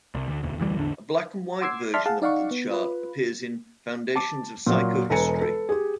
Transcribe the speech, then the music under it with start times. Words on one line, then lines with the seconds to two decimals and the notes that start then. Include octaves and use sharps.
A black-and-white version of the chart appears in "Foundations of Psychohistory".
0.15 C2
0.28 D2
0.43 E1 D2
0.58 F1 D2 E3 G3
0.76 A1 E2 D3 D4
1.61 F#5 C6 D6 E6 G#6 C7
1.94 D5 E5 A5 C6 F6 B6
2.06 G#4 F5 F#5 A5
2.22 D#4 D5 F5 F#5 C#6
2.51 B3
2.71 F4 B4
4.16 A5 D6
4.67 A#2 F#3
5.10 E1 A4 B4 G#5 A#5 C#7
5.41 A4 B4
5.69 G4 G#4